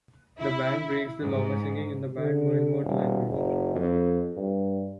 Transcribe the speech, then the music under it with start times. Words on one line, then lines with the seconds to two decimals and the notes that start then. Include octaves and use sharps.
The band breaks the law by singing in the banned Mohelmot language.
0.39 E4
1.21 G#2
2.18 D3
2.84 D#1
3.29 F#1
3.75 F2
4.36 G2